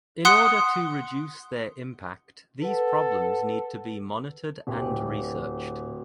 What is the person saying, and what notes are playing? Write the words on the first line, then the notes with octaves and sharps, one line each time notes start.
In order to reduce their impact these problems need to be monitored and researched.
F#5 C6 D#6 F#6 C#7
A4 B4 F#5
D1 G4